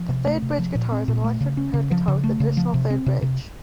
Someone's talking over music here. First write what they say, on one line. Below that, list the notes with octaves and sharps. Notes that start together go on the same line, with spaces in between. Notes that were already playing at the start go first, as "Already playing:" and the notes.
The third-bridge guitar is an electric prepared guitar with an additional, third bridge.
Already playing: F3
C3
A3
C3
F3
A#2
C4
A#2
A3
C#3
C#4
C#3
F3
C#3
A3
C#3
F3
C3
C4
C3
C3